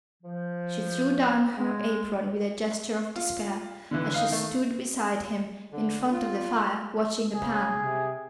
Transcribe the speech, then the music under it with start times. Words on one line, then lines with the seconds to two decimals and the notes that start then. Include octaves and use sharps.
She threw down her apron with a gesture of despair as she stood beside him, in front of the fire, watching the pan.
0.23 F3
1.56 G#3
3.16 F4
3.91 D3 E3
4.14 D#4 F5
4.29 D#3 A3
5.72 D3
6.11 F4
7.35 C#3 G#4
7.76 C3